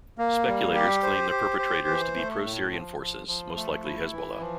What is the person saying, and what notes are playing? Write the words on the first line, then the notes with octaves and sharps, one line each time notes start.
Speculators claim the perpetrators to be pro-Syrian forces, most likely Hezbollah.
A#3
G3
G4
C5
G4
C5
E3
A3
A2
F3
F3
F3
A3
E4
E3
F3